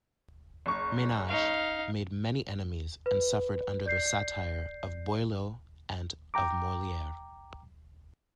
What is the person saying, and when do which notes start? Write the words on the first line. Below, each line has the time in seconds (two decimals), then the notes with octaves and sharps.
Ménage made many enemies and suffered under the satire of Boileau and of Molière.
0.66 F#1 C#6
1.27 D#4 F5
3.06 B4
3.86 D5 G6 C7
6.34 G5 A#5 D6